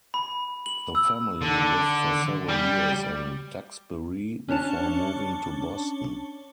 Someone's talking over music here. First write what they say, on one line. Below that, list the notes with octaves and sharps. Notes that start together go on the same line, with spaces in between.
The family lived for several years in Duxbury before moving to Boston.
B5
F#7
E6
D3
G3
C#4 D4 C#5 A5